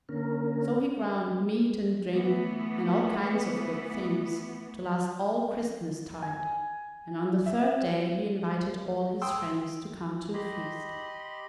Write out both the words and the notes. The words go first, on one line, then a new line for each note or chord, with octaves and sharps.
So he ground meat and drink, and all kinds of good things, to last all Christmas-tide, and on the third day he invited all his friends to come to a feast.
D3 A#3 C#4 A#4
E3 A3 B3
G#5
E5
G5 C6 D#6 E6
G4 D#5 B5 C6